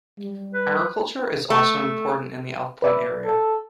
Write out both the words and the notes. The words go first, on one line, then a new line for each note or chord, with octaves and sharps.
Agriculture is also important in the Elk Point area.
G3
B4
A3
B4 D5 E5
A4